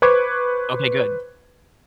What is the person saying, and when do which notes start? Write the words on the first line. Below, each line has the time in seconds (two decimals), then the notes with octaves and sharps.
Okay, good.
0.02 B4 C5 C#6 D6 G#6